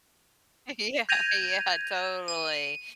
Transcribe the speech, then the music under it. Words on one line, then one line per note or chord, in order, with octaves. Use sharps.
Yeah, yeah, totally.
G6 G#6 A#6 D#7 F7
D#7